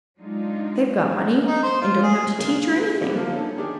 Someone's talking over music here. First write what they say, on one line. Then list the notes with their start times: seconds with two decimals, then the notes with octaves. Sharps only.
They've got money, and don't have to teach or anything.
0.18 F#3 G#3 D4 D#4 F4
1.47 D#4
1.63 C5
1.81 F4
2.03 G#4
2.38 C#3 F#3 G#3 A#3
2.76 B4
3.00 C#3 G3 B3 C4
3.16 D3 F3 A#3
3.32 C#4 D#4 A4
3.57 D#3 D4 G4 G#4